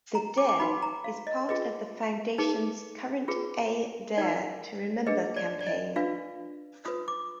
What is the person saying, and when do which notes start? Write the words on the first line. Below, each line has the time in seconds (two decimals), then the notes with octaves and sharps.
The "dare" is part of the foundations current A Dare to Remember campaign.
0.15 A#5
0.38 D6
0.49 D6
0.60 D#4 F#4 B4 B5
0.82 A#5
1.04 F5
1.27 D#5
1.49 F4 G#4 B4 D#5
2.38 D#4 G#4 B4
3.28 F4 G#4 B4
4.17 D#4 A#4 D5
5.07 D4 G#4 B4 D#5
5.36 D5
5.61 D5
5.67 D#5
5.96 D4 F4 B4 F5
6.85 F4 B4 D#6
7.08 D6